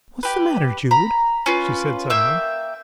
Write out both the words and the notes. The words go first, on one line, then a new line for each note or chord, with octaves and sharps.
"What's the matter, Jude?" she said suddenly.
G4 B4
A#5 B5
C#4 F4 B4
A#3 E5 G5